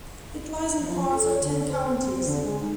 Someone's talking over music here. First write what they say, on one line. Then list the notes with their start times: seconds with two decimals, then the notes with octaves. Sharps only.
It lies in parts of ten counties.
0.80 F3
0.96 F4
1.13 A4
1.30 C#5
1.42 D3
1.67 C5
1.92 C4
2.24 D3
2.43 G#3
2.61 D#4